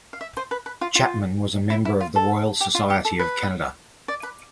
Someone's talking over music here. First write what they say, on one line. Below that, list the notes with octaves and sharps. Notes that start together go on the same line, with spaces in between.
Chapman was a member of the Royal Society of Canada.
F5
E5
C5
B4
B4
F4
F4
E4
E4
F4
A4
G4
F4
G4
A4
B4
D5
B4